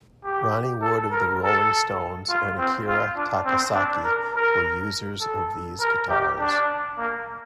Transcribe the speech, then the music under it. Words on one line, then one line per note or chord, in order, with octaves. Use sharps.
Ronnie Wood of The Rolling Stones and Akira Takasaki were users of these guitars.
G4
A4
A#4
A4
F4
C4
F4
D4
C4
D4
A#4
A#4
A4
A#4
G4
D4
A#3